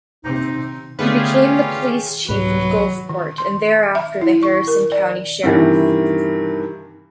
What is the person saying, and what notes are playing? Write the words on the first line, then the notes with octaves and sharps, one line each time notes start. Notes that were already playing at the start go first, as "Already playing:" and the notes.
He became the police chief in Gulfport and thereafter the Harrison County sheriff.
C3 C4 D#4
D3 A3 B3 C#4 F4 G4 G#4 B4
C2 G#2 C3 F#3 B4
D#3
C6
E5
E4
C#6
A#4
D5
G2 C3 D#3 E3